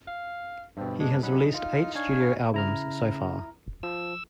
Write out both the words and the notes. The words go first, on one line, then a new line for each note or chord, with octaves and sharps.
He has released eight studio albums so far.
F5
G2 B2 C4
G#3 D4
F#3 C#4 D#4 F#5 B5
F4 F5
D4 C#5 F5 G#5
C#3 E4 A#5 F6
F3 E6